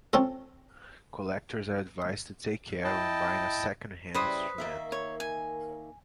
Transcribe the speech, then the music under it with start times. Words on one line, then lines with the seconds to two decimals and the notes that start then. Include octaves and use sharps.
Collectors are advised to take care when buying a second-hand instrument.
0.13 C4 C#4 F4 A4
2.84 E4 D#5 G5 A5
4.14 C#3 G3 E4 B4 C5 D#6
4.58 D#3 A#3 E5
4.92 C#5
5.20 G#5